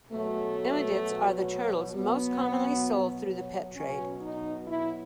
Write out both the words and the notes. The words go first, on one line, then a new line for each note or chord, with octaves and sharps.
Emydids are the turtles most commonly sold through the pet trade.
B2 F#3 A3
B2 F#3 B3
B2 F#3 C#4
D#4
E4